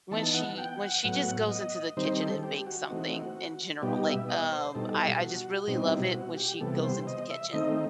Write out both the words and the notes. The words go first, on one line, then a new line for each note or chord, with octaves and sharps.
when she when she just goes into the kitchen and bakes something, in general, like, um, I I just really love it when she goes into the kitchen.
E3 B3 D#4 A5
F#5
G5
F#5
A2 F#3 B3 F#5
D#5
D#3 G3 C4 D#4 C5
A4
G4
F#4
E3 A3 C4 D#4
B2 G3 B3 D#4 G4
E5
D#5
C5
B2 G3 D#4 A4
F#4
B2 G3 C4 D#4
E4
F#4
G4
C3 E3 G3 B3 A4
C5
D#5
E5
D#3 A3 C4 D#4 D#5